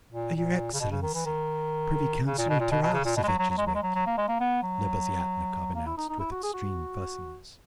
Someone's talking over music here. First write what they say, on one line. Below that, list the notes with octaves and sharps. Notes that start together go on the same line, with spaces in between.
"Your Excellency, privy councillor Tarasevitch is waking!" Lebeziatnikov announced with extreme fussiness.
A#2
A#2
C#3
B2
C#3
D#3
E3
D#3
C#3
A#2
B2
A#2
B2
B2
C#3
A#2
B2
G#3
F#3
F#3
F#3
G#3
F#3
G#3
F#3
F#3
A#3
G#3
A#3
B3
F#3
A#3
E4
D#4
D#4
E4
F#4
G#4
F#4